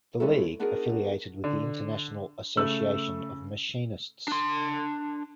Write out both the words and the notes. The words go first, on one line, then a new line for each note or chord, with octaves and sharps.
The League affiliated with the International Association of Machinists.
G3 G#3 B3 C#4 E4 A4
B3 D4 D#4 F#4 G#4 A#4
D3
C#3 A3 E6 F#7
D4 C6